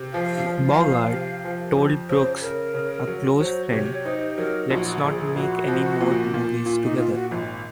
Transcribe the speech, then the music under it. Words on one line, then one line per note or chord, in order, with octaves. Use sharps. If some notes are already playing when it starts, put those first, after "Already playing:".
Bogart told Brooks, a close friend, let's not make any more movies together.
Already playing: C3
F3 F5
F3
F3
C3
F3
F2
C#3 C5
C#3 A#4
C#3
F#3
F#3 C5
C3 C#5
D#4 C5
F#3 A#4
A#1 F#4
F#4
A#1 G#4
G#4
A#1 F#4
F3
A#2
A#2
A#2 F4
D#4
A#2 F4
F#4
G#1 F4